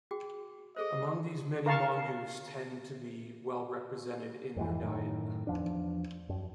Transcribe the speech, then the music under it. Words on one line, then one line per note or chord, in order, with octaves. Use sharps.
Among these many mongoose tend to be well represented in their diet.
F#4 G#4 G5
G#4 A4 C5 D#5
A#4 F5 A5 C#6
F2 G#2 E3
F#2 A2 D#3
E2 F3 D4
F#2